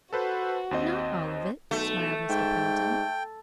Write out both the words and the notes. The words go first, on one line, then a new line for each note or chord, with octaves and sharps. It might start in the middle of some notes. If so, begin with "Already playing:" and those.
"But not all of it?" smiled Mr. Pendleton.
F#4 A4 B4 C5
D#2 C4 D#5
B1 A3
G#2 G5